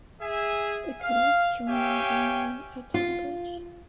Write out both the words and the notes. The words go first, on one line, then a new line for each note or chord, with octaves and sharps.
The cut-off joined the main line at Tonbridge.
G#4 E5 G#5
F5
G4 C#5 E5 F5 G5 G#5
F4